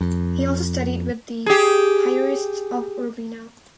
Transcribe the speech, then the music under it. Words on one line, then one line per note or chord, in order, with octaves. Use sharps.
He also studied with the Piarists of Urbino.
F2
G4 G#4